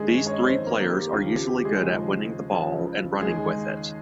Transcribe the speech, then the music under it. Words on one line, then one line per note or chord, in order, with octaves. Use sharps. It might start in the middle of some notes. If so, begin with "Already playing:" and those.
These three players are usually good at winning the ball and running with it.
Already playing: G2 D#3 G#3 G#4
C#4 C#5
D#5
C#4 C#5
F2 D#3 C4 C5
A#3 A#4
G4
D#2 C#3 F3 F4
G4
G4
G#3 G#4
D#2 C#3 F3
C#2 C#3 F3
D#2 D#3 G#3 G#4